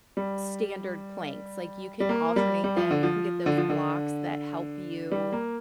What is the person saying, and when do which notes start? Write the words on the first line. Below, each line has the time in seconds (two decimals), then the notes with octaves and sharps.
standard planks. Like, you can alternate them, you can get those blocks that help you. Y
0.17 G3
2.00 G3
2.09 A#3
2.36 G3
2.64 G3
2.77 F3
2.91 D3
3.03 F3
3.46 D3
3.57 F3
3.69 D3
5.11 G3
5.32 A#3